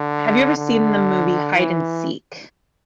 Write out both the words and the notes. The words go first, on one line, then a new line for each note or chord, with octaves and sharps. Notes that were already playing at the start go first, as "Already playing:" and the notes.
have you ever seen the movie Hide and Seek?
Already playing: D3
D3
E3